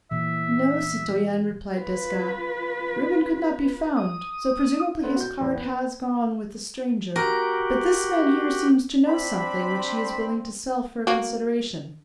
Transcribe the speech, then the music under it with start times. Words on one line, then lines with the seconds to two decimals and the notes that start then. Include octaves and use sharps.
"No, citoyen," replied Desgas, "Reuben could not be found, so presumably his cart has gone with the stranger; but this man here seems to know something, which he is willing to sell for a consideration."
0.11 A#2 E3 E5
1.75 F4 B4
3.97 D#6
5.03 A3 B3 C4
5.16 F#4 G6
5.41 E2
5.55 B3
7.16 F#4 G4 A#4
9.07 C4 D4 B5
11.07 A#3 F#4